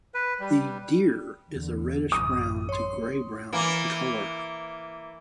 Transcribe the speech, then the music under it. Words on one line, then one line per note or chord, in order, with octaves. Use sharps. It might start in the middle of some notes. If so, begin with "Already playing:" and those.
The deer is a reddish-brown to grey-brown in color.
B4
G3
E2 D3
A1 F#2 D#6
C#5 C6
E3 A#3